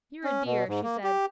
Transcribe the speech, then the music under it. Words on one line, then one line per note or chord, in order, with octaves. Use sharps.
'You're a dear,' she said.
C#4
B2
G#2
A#3
G4